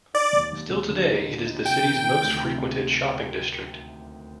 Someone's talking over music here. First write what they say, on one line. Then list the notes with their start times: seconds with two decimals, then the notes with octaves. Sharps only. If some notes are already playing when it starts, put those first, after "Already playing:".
Still today it is the city's most frequented shopping district.
0.14 D#4 D5
0.33 D#2
0.53 D#2
0.70 D#2
0.89 D3
1.09 D#4
1.28 D3
1.47 D#4
1.65 C3 G5
1.84 D#3
2.04 D#3
2.23 D2
2.42 C3